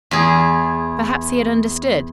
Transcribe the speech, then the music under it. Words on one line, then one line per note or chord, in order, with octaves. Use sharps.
Perhaps he had understood.
E2 G#4